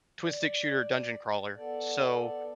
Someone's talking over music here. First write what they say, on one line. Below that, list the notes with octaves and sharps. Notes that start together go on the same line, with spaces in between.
twin-stick shooter dungeon crawler, so
D5
B3 A4 D5